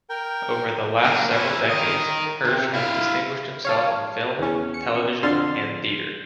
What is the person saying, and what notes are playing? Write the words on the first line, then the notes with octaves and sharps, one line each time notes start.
Over the last several decades, Hirsch has distinguished himself in film, television, and theatre.
A#4 G5
A#3 D4
C#4 E4
A#4 D#5
D2 C3
E4 F5
C#5 F5 A5
E2 C#4
C#7
F2 D3 C6 F6 A6